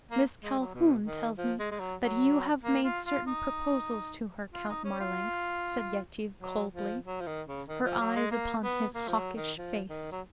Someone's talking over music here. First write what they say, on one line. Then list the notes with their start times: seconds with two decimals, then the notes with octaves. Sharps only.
"Miss Calhoun tells me that you have made certain proposals to her, Count Marlanx," said Yetive coldly, her eyes upon his hawkish face.
0.11 A#3
0.44 G#3
0.59 F#3
0.74 B2
1.07 D#3
1.38 F3
1.59 G#3
1.71 G#3
1.80 F#3
2.01 F#3
2.64 A#3
2.85 F4
3.07 F4
3.27 D#4
4.54 F4
4.69 D#4
4.85 C#4
5.00 F4
6.42 F#3
6.74 F3
7.06 F#3
7.21 F3
7.27 D#3
7.47 C#3
7.68 D#3
7.84 F3
8.00 F#3
8.16 G#3
8.31 A#3
8.64 B3
8.95 A#3
9.08 F3
9.16 F#3
9.37 D#3
9.58 F3
9.89 D#3
10.12 F#3